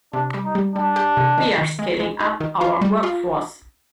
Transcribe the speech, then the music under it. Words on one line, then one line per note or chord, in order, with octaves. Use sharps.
We are scaling up our workforce.
C3 D4
G3
D#4
G3
G3 D4
G4
C3
D#3
D#3
G#3
G#3
D#4
D#3
F4
G3
F4